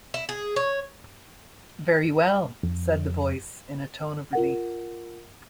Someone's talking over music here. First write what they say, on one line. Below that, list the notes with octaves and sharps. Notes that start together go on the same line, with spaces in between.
"Very well," said the Voice, in a tone of relief.
E4
G#4
C#5
F2
F4 A#4 F#5